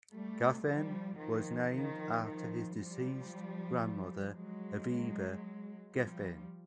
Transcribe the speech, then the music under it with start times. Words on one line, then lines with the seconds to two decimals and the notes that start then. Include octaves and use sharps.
Geffen was named after his deceased grandmother, Aviva Geffen.
0.13 G3 A3
0.65 F3 G3
1.18 D#3 F3
1.71 D#3 F3
2.23 D#3 F3
2.76 F3 G3
4.34 F#3 G#3
5.93 F3 G3